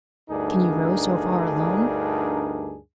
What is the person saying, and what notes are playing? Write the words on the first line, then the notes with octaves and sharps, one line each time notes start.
"Can you row so far alone?"
D2 G2 D4 D#4 G#4 A#4